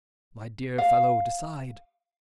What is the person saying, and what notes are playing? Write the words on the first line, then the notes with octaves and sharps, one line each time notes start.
My dear fellow, decide!
F5